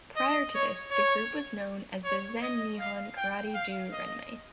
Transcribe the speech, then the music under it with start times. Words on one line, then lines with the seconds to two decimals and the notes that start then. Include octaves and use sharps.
Prior to this the group was known as the "Zen Nihon Karate-do Renmei".
0.16 D#5
0.55 C#5
0.91 C#5
2.04 C#5
2.42 D#5
2.79 F5
3.17 G5
3.54 F5
3.92 D#5